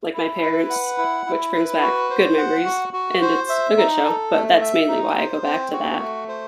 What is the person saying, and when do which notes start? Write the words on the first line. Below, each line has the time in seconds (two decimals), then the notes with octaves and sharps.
like my parents, which brings back good memories, and it's a good show, but that's mainly why I go back to that.
0.14 E4
0.42 B4
0.70 F#5
0.98 E4
1.26 E4
1.54 B4
1.82 F#4
2.10 C5
2.38 F#5
2.65 F#4
2.93 F#4
3.21 C5
3.49 E5
3.78 D#4
4.05 A4
4.34 A3
4.61 E5
4.89 D#4
5.17 C5
5.44 C4
5.73 F#4
6.00 A3
6.28 C5